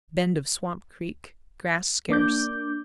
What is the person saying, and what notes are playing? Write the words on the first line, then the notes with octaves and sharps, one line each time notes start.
Bend of Swamp Creek.--Grass scarce.
A#3 D4 D6 G6